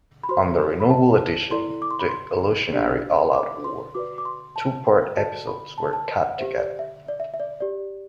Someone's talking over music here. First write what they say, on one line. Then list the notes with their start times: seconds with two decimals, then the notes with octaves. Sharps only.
On the renewal edition, the "Illusionary All-Out War" two-part episodes were cut together.
0.23 B5
0.29 F#4 C5 C6
0.80 B5
0.90 A5
1.51 E4 A4 D5 C6
1.82 D6
1.91 C6
2.00 B5
2.08 C6
2.73 D4 G4 D5
3.34 D6
3.64 C6
3.94 F#4 B4 D5 D6
4.18 D6
4.25 C6
4.56 A5
4.87 G5
5.17 F#4 A4 D5 A5
5.47 B5
5.78 A5
5.93 A5
6.23 F#5
6.39 G4 C5 E5
6.59 D5
6.79 E5
7.08 D5
7.20 E5
7.34 E5
7.40 D5
7.60 G4 D5